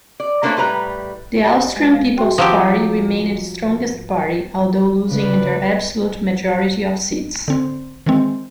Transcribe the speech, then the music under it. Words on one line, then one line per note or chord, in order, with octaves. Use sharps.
The Austrian People's Party remained strongest party, although losing their absolute majority of seats.
D5
A3 A#3 D4 C5 C#5
A2 G3 B4 A#5
G4 D5 D#5
G#3 B4
F5
F#4 E5 G5 C6
F3 F#3 G4
C#3 B4 D5
D3 C4
D#3 E3 G#3 C4